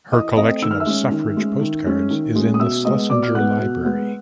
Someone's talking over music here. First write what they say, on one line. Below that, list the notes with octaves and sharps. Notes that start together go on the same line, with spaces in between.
Her collection of suffrage postcards is in the Schlesinger Library.
E3 D#5 D#6
A3 C4 D#5 D#6
D#3 E6
F6
E5 E6
G#3 C#4
D#3
G#3 C#4
D#3
G#3 C#4
D#3
G#3 C#4
D#6
B2 E5 E6
G#3 B3 D#5 D#6
B2 D5 D6
F6
G#3 B3 F#5 F#6
B2
G#3 B3